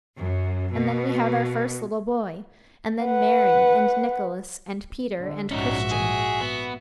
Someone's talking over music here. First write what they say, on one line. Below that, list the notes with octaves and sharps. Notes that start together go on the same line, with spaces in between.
And then we had our first little boy, and then Mary, and Nicholas, and Peter, and Christian.'
F#2
B2
B4 F#5
D3
A#1 G#2 C#4 D#4 F#4 E5
G#4
B3